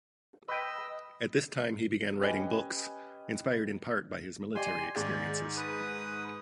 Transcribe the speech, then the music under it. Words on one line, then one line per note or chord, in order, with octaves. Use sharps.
At this time, he began writing books, inspired in part by his military experiences.
B4 D#5 G5 E6
C#4 G4 B4 D#5 G#5
G4 D5 G#5 C6
G#2 D#3 G#4 D5
B4 D#6